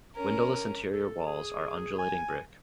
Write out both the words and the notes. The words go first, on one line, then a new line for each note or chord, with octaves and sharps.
Windowless interior walls are undulating brick.
C#4 A#4
A4
G#4
G#5